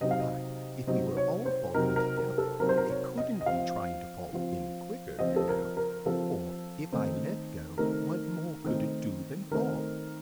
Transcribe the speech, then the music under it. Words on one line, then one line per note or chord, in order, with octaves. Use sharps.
But, if we were all falling together, it couldn't be trying to fall any quicker, you know: for, if I let go, what more could it do than fall?
C3 F#3 C4 D#4 D#5
F5
D#5
C3 F#3 C4 D#4 D#5
C#5
C5
C3 F#3 C4 D#4 A#4
A#4
A#4
A4
C3 F#3 C4 D#4 A#4
C5
A#4
C#5
D#5
D#5
F3 C4 F4 F5
F3 C4 F4
F3 C4 F4 D#5
A4
A#4
A#4
F3 C4 F4 A4
D#3 A3 C4 D#4
D#3 A3 C4 D#4 A#4
D#3 A3 C4 D#4
D#3 A3 C4 D#4 A#4